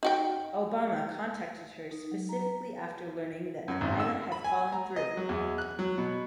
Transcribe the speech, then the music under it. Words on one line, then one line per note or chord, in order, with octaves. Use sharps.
Obama contacted her specifically after learning that the pilot had fallen through.
D#4 F#4 G5
D#4
F#3
A#5
B4
F#2
G#1
E6
B5
G#5
A#5
D#5
F#3
E2
F#6
F#3
B2